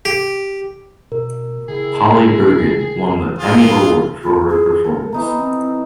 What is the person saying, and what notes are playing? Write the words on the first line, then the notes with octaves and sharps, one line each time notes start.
Polly Bergen won the Emmy Award for her performance.
G4
B2 A#4
C#3 E4 G#4
E3 F4 G#4
F4
G#4
A4 A#4
E3 B3 D#4 A#5
C4